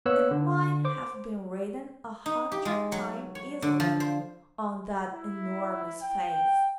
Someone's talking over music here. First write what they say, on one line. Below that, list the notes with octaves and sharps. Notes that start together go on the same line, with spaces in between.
It might have been written a hundred times, easily, on that enormous face.
A#3 B3 B4 C#5 E6 F#6
D3
C5 D6
D#4
G4
G#3
F#3
C#5
D3
F3
C5
E4
G5